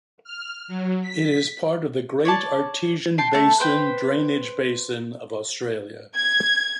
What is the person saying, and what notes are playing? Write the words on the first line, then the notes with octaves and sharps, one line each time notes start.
It is part of the Great Artesian Basin drainage basin of Australia.
F6
F#3
B6
C#5 D5 A5
G5 A5 C6
A3 A5
B4 C5 G5
G#6